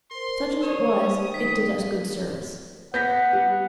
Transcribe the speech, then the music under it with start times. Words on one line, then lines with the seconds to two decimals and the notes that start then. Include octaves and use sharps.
Such as it was, it did us good service.
0.11 A#4 C5 C6
0.63 C#5 D#6
1.34 D#3 B6
2.94 B3 F#5 G6 A#6 B6
3.33 G3